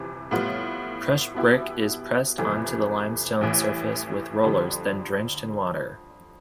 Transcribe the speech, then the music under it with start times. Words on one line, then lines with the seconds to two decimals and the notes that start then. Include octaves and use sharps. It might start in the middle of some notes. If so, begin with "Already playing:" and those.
Crushed brick is pressed onto the limestone surface with rollers, then drenched in water.
Already playing: G1 F2 C3 E3
0.31 A2 G3 B3 F4
1.34 B2 B3 E4 G4
2.38 G1 F2 C3 E3 A3
3.41 A1 A2 E3
4.44 F2 D3 G3